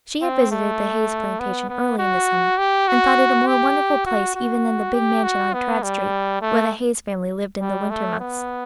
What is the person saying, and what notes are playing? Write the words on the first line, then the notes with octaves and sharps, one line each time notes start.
She had visited the Hayes plantation early in the summer, and thought it a more wonderful place even than the big mansion on Tradd Street where the Hayes family lived in the winter months.
C4
A3
B3
B3
F#4
G4
F#4
G4
F#4
F#4
G4
F#4
B3
G3
A3
G3
A3
B3